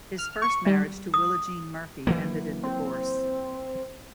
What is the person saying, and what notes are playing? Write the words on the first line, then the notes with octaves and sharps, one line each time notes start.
His first marriage to Willa Jean Murphy ended in divorce.
F6
C#6
G3
D#6
E3 F#3 A#3
C4